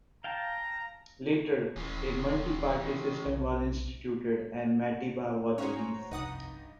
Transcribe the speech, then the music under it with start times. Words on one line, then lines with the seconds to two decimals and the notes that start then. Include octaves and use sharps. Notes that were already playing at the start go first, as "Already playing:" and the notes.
Later, a multiparty system was instituted and Matiba was released.
0.24 F5 G5 A5 A#5
1.76 D#1 E3 C#4
3.26 B1
5.58 C#4 F#4 G#4 C5 C#5 A#5
6.11 F1 C2 G2 D#4 B4 F#5 D#6